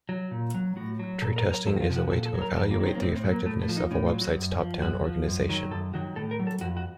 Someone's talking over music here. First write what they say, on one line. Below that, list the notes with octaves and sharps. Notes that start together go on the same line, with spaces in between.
Tree testing is a way to evaluate the effectiveness of a website's top-down organization.
F#3
A#2
F#3
A2 F#4
F#3
A#2 A4
A#4
F#3
A#4
F2 A4
F#4
F4
C3 F3
F#4
A#2 A4
A4
F#3
A#4
F2 A4
A#3
D#3 F#3
C4
A#3
A2 C4
C4
F#3
A#3
A2 A3
A3
F3
D#4
A2 C#4
F4
F#3
F#4
F#2
F3
F#2 F#4
F3
F#2
D#3 F#3
F#2 A4
D#3 F#3 F#4
A2 A4
A#4
F#3
A4
F2 F#4
F#4